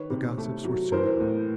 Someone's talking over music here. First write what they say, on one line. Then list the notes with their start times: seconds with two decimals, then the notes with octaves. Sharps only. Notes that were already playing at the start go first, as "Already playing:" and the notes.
The gossips were soon at work.
Already playing: D#3 B4 C#5
0.10 C3
0.38 A3
0.64 F#3
0.92 E3 A#4 C5
1.20 A2